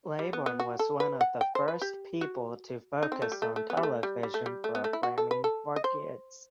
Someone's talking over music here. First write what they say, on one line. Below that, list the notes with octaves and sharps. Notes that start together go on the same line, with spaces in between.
Laybourne was one of the first people to focus on television programming for kids.
G3
B3
B3
F#4
A4
B4
F#5
G5
C5
B4
G4
F#4
D#4
C4
A3
G3
A3
A3
B3
G3
A3
G3
G3
A3
G3
A3
B3
A3
E4
F#4
A4
B4
A4
D#5
C5